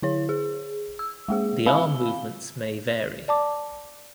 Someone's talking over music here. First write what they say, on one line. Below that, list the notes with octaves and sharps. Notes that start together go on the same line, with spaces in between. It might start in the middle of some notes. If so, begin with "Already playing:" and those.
The arm movements may vary.
D3 E4 C#5
G#4
E6
G#3 A#3 G#4
C4 F5 B5 E6 G7
D5 A5 D6